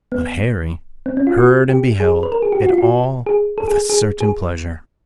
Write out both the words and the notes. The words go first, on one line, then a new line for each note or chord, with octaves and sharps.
But Harry heard and beheld it all with a certain pleasure.
B3
C4
C#4
F4
F#4
G4
G#4
B4
A#4
G#4
G4
F#4
F4
F#4
G#4
A4
G#4
G#4
G#4